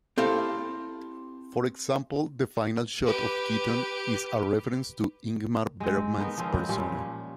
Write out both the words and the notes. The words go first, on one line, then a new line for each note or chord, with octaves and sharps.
For example, the final shot of Keaton is a reference to Ingmar Bergman's "Persona".
C4 E4 G4 A4 F5
G4 B4
G#3 C4
B3 D#4 A#4
F3 G#3 C4 C#4
C4
A#2 F3 G3 C#4